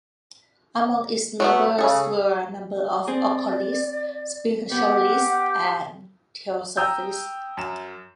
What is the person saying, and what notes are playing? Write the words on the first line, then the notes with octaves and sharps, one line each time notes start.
Among its members were a number of occultists, spiritualists, and Theosophists.
F#3 A3 B3
C#3 G#4 A4
C4 G#4 D5
B3 G4 F#5
G5 A#5 D#6 E6 G6
F#2 E7